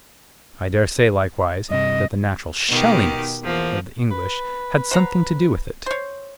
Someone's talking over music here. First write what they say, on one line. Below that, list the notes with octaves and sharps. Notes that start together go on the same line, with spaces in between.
I daresay, likewise, that the natural SHELLINESS of the English had something to do with it.
G2 C3 D#5
B2 D#3 G4
E2 F3 A#3
B4
C5 F#5 A#5
C5 C#5